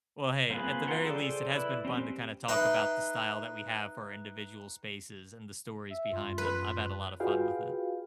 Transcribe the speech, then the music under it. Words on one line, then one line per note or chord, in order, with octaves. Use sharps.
well, hey, at the very least, it has been fun to kinda talk about the style that we have for individual spaces and the stories behind them. I've had a lot of fun with it.
A#3 C4 F4 G#4 B4
F4 B4 F#5 A#5 C6
G#4 A4 C5 D5 G5
E4 B4 D5
C4 C#4 G4
D#4 B4 E5 G5 C6
E5
F#2 F4
B4
F4 F#4 G#4 B4 F5 G5